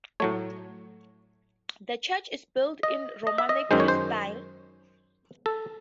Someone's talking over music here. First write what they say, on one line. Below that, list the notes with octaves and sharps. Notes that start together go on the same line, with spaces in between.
The church is built in Romanesque style.
A2 F#3 A3 C#5
D#5
D#5
E5
D#5
F#2 D#3 G#3 C5
C#5
C5
A4